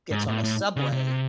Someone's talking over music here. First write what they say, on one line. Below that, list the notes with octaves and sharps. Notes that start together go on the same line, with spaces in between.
gets on a subway
G#2
A2
A2
C#3
C3